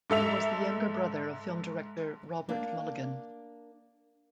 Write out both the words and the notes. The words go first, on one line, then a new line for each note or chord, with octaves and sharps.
He was the younger brother of film director Robert Mulligan.
G#2 A4 E5 F7
A#3 D4